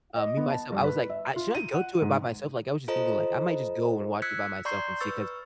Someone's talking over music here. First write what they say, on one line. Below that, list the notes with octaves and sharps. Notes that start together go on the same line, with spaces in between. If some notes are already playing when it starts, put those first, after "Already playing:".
um, me, myself I was, like, "I should I go to it by myself?" Like, I was just thinking, like, I might just go and watch it by myself and see, 'cause
D#5
B3
A5
G2
B4
E5
F4
D#7
F#5
G#2
F4 A4 C5 D#5 A#5
E6 F#6 G#6 B6 C#7
D5 A#5 C6 C#6 G6 C7
B4 C#6 E6 A6